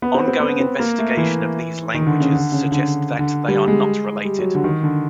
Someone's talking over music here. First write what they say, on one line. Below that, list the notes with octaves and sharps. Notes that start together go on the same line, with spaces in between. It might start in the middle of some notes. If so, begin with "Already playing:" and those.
Ongoing investigation of these languages suggest that they are not related.
B3
C4
C4
B3
C4
A#3
A3
E3
D#3
D3
C#3
D3
C#3
D3
D3
G3
G#3
G3
F#3
D3
D#3
D3